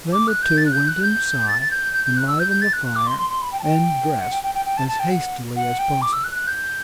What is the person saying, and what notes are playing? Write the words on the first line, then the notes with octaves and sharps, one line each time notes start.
Then the two went inside, enlivened the fire, and dressed as hastily as possible.
D6
F#6
G6
A6
F#6
G6
F#6
G6
A6
A6
G6
G6
G6
F#6
E6
G6
G6
A6
F#6
F#6
D6
C6
C6
C6
B5
G5
A5
G5
F#5
G5
G5
G5
G5
A5
A5
G5
F#5
F#5
G5
D6
E6
F#6
F#6
G6